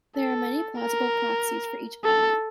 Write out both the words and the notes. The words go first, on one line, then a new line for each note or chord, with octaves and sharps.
There are many plausible proxies for each element.
A4
A#4
A4